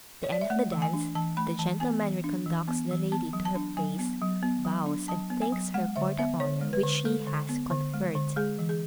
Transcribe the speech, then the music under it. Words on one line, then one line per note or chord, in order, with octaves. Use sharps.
At the end of the dance, the gentleman re-conducts the lady to her place, bows and thanks her for the honor which she has conferred.
C#5
D5
E5
A3 F#5
E3
G#5
D4
E3 A5
A3 B5
E3 A5
B3 G#5
E3
D4
E3
B3
E3
B3 A5
F#3
A5
D4
F#3 G#5
B3
F#3
B3
F#3
D4
F#3 A5
B3
G#5
F#3
G#3 F#5
D3 E5
B3 E5
D3 C#5
G#3
B4
D3
G#3 A4
D3
B3
D3
G#3
D3
G#3 G#4
E3
G#4